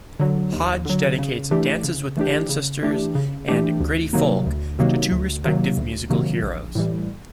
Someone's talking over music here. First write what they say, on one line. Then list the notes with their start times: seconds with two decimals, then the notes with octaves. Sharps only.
Hodge dedicates "Dances with Ancestors" and "Gritty Folk" to two respective musical heroes.
0.20 D3 F#3
0.53 D#2
0.85 D3 F#3
1.19 C#3
1.51 E3 A3 D4 G4
1.84 C#3
2.17 E3 A3 D4 G4
2.49 C#3
2.82 E3 A3 D4 G4
3.15 C#3
3.48 E3 A3 D4 G4
3.80 D2
4.13 C3 D#3 F#3 A#3
4.46 D2
4.79 C3 D#3 F#3 A#3
5.12 D2
5.44 C3 D#3 F#3 A#3
5.77 D2
6.10 C3 D#3 F#3 A#3
6.42 A#1
6.75 A2 E3 G3